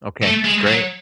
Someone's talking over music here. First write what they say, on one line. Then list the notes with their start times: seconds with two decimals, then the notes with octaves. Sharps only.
Okay. Great.
0.23 A3
0.45 G#3
0.67 F#3